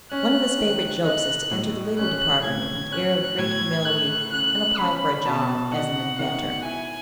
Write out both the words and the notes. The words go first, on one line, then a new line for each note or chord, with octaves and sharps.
One of his favorite jokes is to enter the legal department with an air of great humility and apply for a job as an inventor!
C#4 F#6
D#3
D#4 F#6
A2
C#4 F#6
A2 G#6
C#4 F#6
A2 G#6
A3 F#6
C#3 F#6
C#4 B5
B2 A5
D#4 F#5
D#3 F#5
E4 G#5